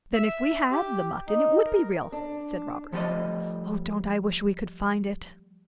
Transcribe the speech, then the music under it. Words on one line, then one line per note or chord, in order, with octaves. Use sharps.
'Then if we HAD the mutton it would be real,' said Robert. 'Oh, don't I wish we could find it!'
E5
G4
D#4
A#4
D4
F3 G3 A3 D5 D#5